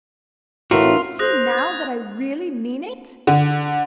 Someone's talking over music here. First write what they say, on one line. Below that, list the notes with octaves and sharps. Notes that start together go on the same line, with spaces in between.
Do you see now that I really mean it?'
A2 E3 A3 F4 F#4 A#4
C5 D#6 F#6 A#6
D#6 G#6 A6
D3